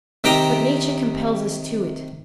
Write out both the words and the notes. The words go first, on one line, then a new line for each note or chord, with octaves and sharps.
But nature compels us to it.
C3 D#3 G4 G5 A#5